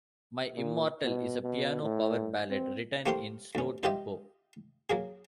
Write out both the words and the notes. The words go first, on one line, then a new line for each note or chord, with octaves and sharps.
"My Immortal" is a piano power ballad written in slow tempo.
A#2
B2
B2
A2
C4
A3 A#3 G4 C5 F5 C6
D2 C#4
D#4 F4 G4 D#5 E5
F#3 A#3 G#4